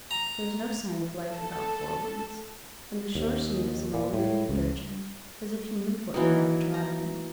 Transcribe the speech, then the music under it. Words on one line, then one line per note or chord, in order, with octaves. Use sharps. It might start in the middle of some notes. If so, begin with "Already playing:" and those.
There was no sign of life about Four Winds and the shore seemed as lonely and virgin as if human foot had never trodden it.
A#5
A4
D#2
A#2
A2
C#2
E3 F#3 A#3 D#4
A#5